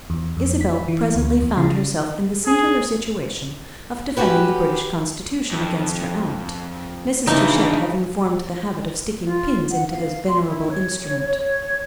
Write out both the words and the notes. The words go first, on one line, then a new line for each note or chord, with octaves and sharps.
Isabel presently found herself in the singular situation of defending the British constitution against her aunt; Mrs. Touchett having formed the habit of sticking pins into this venerable instrument.
E2
F2
B6
E3
D2
E2
C#3
G#4
C#4 F#4 G4 B4
F2
C#3 E3 D4 D#4 E5
F4
F#5
F5
C6
E4
C#5
C#5